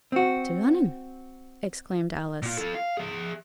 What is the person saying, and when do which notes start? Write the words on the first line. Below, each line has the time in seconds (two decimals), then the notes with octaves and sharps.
'To Lunnon!' exclaimed Alice.
0.12 C4 F#4
2.42 A#2 F4
2.57 F4 A4
2.75 F5
2.97 G#4 E5